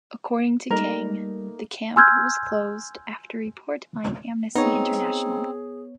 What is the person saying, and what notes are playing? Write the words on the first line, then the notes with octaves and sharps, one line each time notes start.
According to Kang, the camp was closed after a report by Amnesty International.
G3 A3 A#3 D#4 A#4
G#5 C6 E6 F6 G6 G#6
B3 C4 D#4 G#4 C#5